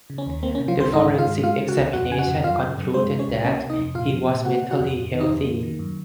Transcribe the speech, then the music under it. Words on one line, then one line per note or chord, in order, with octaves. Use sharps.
The forensic examination concluded that he was mentally healthy.
C#3
C#4
D#2
A#3 C4
C#4
C3
F3 F4
C2 C4 C5
G#2 D#4 D#5
D#3
F4 F5
G#2
G#3 F4 F5
C#3
F#4 F#5
C#2
F2 F#4 F#5
C#3 G#5
F#4 F#5
F2
F#2 F4 F5
C#3
F#2
G#3 C4 C5
C3
C#4 C#5
C#2
A#3 C#4 C#5
C3
D#4 D#5
F2
A#2 F4 F5
F3
A#2
A#3 F#4 F#5
C3
F#4 F#5
F2
F2
D#3
D#4 D#5
F2
A#3
D#3
F#2